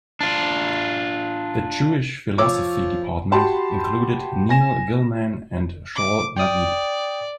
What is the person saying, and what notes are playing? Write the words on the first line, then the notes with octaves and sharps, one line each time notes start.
The Jewish Philosophy department included Neil Gillman and Shaul Magid.
D4 F4
F3 C#5 D6 E6
F#4 G4 A5 B5 C6
G#5 A#6 E7
D6
D5 G5 D#6